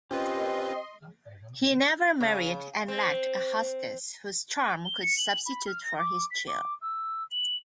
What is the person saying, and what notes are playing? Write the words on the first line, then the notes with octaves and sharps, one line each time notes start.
He never married and lacked a hostess whose charm could substitute for his chill.
C4 C#4 F4 G4 B4 D#5 A5 C6
C#3
C4
G7
C#7
F#7
B5
F6
A#6
D6
B6
D6
E6
F#7